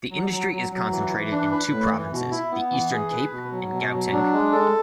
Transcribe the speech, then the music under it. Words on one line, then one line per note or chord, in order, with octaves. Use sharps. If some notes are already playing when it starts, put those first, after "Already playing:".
The industry is concentrated in two provinces, the Eastern Cape and Gauteng.
F#3
F#3
F#3
F#3
E3
E3
D4
B4
A2
E3
B2
E4
B3
E3
G#4
B4
B2
F#3
B2
F#3
D4
G#3
A4